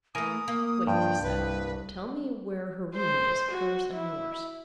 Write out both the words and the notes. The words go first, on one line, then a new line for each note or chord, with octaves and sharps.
"Wait," I said, "tell me where her room is, hers and yours."
E3 A3 A#4 G#5 D#6
A#3
G2 F3 G5
C2 B4
C5
F#4
E4